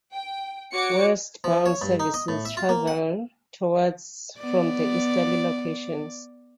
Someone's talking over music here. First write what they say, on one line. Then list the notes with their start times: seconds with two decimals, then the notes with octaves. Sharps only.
Westbound services travel "towards" from the easterly locations.
0.13 G5
0.73 F#4 C#5 D6 C#7
1.44 F3
1.66 C#5
1.82 G2
2.00 D#4
2.14 D#5
2.28 A2
2.45 E5
2.57 F4
2.69 A#3
2.87 F#5
4.38 B3 D5